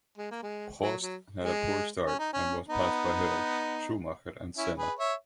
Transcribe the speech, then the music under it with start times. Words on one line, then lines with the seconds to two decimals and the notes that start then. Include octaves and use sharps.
Prost had a poor start and was passed by Hill, Schumacher and Senna.
0.18 G#3
0.31 A#3
0.43 G#3
0.81 F#3
1.01 F#3
1.44 G#3
2.06 C#4
2.19 D#4
2.33 C#4
2.68 B3 D#4
4.57 C#4 E4
4.78 G#4 B4
4.99 C#5 E5